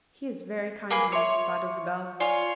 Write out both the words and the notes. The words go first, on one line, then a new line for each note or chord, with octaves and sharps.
"He is very kind to me," thought Isabel.
A#3 G#4 B4
C#5 E5 C6 D6
F4 C#5 D5 G#5